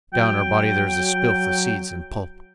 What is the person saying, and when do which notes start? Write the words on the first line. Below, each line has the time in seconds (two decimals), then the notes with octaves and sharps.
Down her body there was a spilth of seeds and pulp.
0.14 F#3 G5